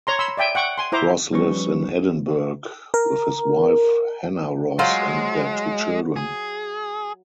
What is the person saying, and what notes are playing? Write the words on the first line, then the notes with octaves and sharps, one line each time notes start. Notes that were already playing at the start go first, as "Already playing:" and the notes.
Ross lives in Edinburgh with his wife Hanna Ross and their two children.
C#5 A#5 C6
B5 C6 E6
D5 E5 G5 G#5
F#5 G5 C#6
G#5 C6
E4 C5 A#5 D6
F3 G3 C#4 B4 C#6
A#4
F#3 G#3 F4 C5
G#4